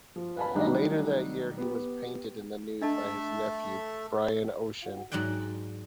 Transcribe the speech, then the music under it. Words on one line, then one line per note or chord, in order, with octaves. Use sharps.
Later that year, he was painted in the nude by his nephew, Brian Ocean.
F3
B4 F5 G#5 A5 B5
D#3 F#3 G3 A3 D4 D#4
B3 G4
A3 D4 A4 D#5 E5 A5
G#2 F#3 D5 F#5 G5